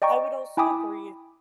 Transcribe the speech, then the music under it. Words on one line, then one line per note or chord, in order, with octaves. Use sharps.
I would also agree
D5 D#5 G5 A#5 C#6
E4 G5 G#5 B5 D6 D#6